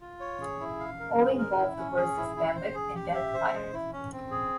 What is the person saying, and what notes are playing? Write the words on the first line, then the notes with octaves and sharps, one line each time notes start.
All involved were suspended and then fired.
F4
C#5
G#4
E4
F5
A#4
G#3
A#4
E4
C#4
G#4
E4
E4
C5
G#4
G4
E5
C5
G#3
E4
C#4
C4
G#4